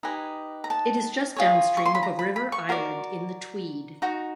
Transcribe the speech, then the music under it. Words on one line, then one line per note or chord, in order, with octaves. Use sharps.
It is just downstream of a river island in the Tweed.
D#4 G4 B4 D#5 G#5
A#5
A5
F4 G#4 C#5
C#6
C6
B5
A#5
B5
B5
C#6
F#4 A#4 D5
D#4 F#4